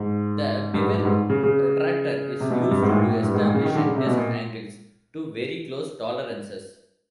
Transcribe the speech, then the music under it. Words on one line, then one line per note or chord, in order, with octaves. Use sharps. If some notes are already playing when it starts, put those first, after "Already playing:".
The bevel protractor is used to establish and test angles to very close tolerances.
Already playing: G#2
G2
G#2
G2
G#2
C#3
C#3
C3
B2
C3
G2
G#2
A2
A#2
A2
G2
G#2
A#2
C#3
D#3
D3
C#3
C3
B2
A#2